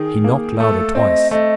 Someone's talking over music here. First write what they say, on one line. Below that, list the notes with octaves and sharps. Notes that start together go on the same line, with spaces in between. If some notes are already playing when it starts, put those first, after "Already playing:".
He knocked louder twice.
Already playing: D#3 G#4
A#3
A3 A4
C4 D#5
A3 D#5